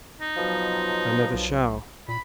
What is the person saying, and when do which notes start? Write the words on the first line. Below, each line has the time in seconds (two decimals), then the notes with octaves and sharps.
"I never shall."
0.21 D#4
0.36 B2 F3 F#3
1.34 B1
2.08 A#2 B5